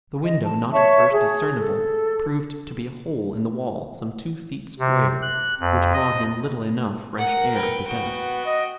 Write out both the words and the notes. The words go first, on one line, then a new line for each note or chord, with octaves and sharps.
The window, not at first discernible, proved to be a hole in the wall, some two feet square, which brought in little enough fresh air, at the best.
D#5
A5
C#5 E5 A5 C#6
G#4
A4
C3
F#6
F2
D#5
A#4 F#5
B4 G5
B3 F#4 G5
D#5